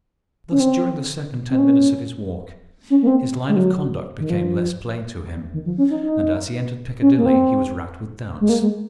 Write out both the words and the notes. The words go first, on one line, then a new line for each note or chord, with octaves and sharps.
Thus during the second ten minutes of his walk, his line of conduct became less plain to him, and as he entered Piccadilly he was racked with doubts.
C#4
C4
C4
C#4
C#4
A#3
C4
G#3
F#3
D#3
F3
D#3
F3
C#4
D#4
D#4
C#4
A#3
C4
G#3
A#3
G#3